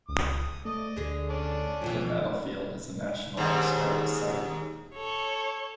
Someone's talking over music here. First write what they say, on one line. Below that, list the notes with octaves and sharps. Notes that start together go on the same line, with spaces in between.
The battlefield is a National Historic Site.
C#2 D#6
A3 D5 D#5
D2 D3 G#4
C#4 D4 D6
D2 B2 E3 F3
D#2 G#2
A4 C#5